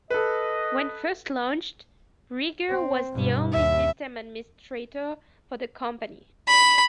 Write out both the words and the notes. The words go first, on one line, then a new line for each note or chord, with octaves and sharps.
When first launched, Rieger was the only system administrator for the company.
A4 B4 D#5
C4
G2 B2
D#2 E5
B5